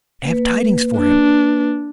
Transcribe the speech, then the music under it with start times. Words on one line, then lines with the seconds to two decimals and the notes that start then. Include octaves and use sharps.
I have tidings for him.
0.24 A#3 B4
0.98 D4